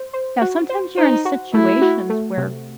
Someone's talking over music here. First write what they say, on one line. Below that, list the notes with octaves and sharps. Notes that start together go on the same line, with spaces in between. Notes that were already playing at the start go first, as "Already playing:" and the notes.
Now sometimes you're in situations where
Already playing: C5
C5
F#4
C5
D#4 C5
F#4
A3 E4
F#4
A3
C3